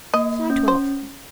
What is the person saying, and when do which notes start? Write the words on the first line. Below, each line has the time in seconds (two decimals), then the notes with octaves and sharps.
July Twelfth.
0.14 A#3 D#5
0.50 C#4
0.68 C5